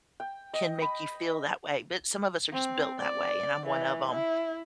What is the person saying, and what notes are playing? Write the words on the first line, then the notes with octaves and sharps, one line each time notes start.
can make you feel that way, but some of us are just built that way and I'm one of 'em,
G5
D#5
B5
C4
D5
E3
E4